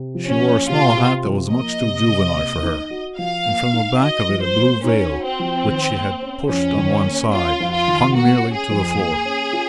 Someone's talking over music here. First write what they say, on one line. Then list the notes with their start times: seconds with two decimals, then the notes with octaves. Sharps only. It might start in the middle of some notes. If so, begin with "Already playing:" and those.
She wore a small hat that was much too juvenile for her; and from the back of it a blue veil, which she had pushed on one side, hung nearly to the floor.
Already playing: C3
0.15 F3
0.28 C#4
0.42 A#3
0.69 C3 F4
0.97 C3
1.24 F3
1.52 A#3 D#5
1.80 C3
2.07 C3
2.35 A#3
2.63 D#4
2.90 F#4
3.18 F3 F5
3.46 A#3
3.73 D#4
4.01 F#4 D#5
4.29 F3
4.42 C5
4.56 A#3
4.84 C#4 D#4
5.11 F#4
5.26 C4
5.39 F3
5.66 D#3
5.95 A#3
6.22 C#4
6.49 F2 C#4
6.77 D#3
7.04 A#3
7.33 C#4 F4
7.60 F2
7.74 F4
7.88 D#3
8.15 A#3 F#4
8.43 C#4
8.56 G#4
8.71 F2
8.98 A#3
9.25 C#4
9.53 F4